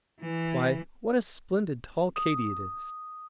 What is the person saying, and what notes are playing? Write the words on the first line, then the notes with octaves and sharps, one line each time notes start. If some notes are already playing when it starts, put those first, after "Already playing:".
Why, what a splendid tall Katy it is!
E3
D#6